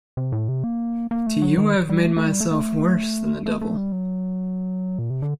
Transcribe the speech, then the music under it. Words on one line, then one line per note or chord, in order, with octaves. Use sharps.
To you I’ve made myself worse than the devil.
C3
A2
C3
A#3
A#3
A3
F#3
D#3
G3
A3
A3
G3
A3
A3
A3
A3
G3
F#3
A#2
C3
D3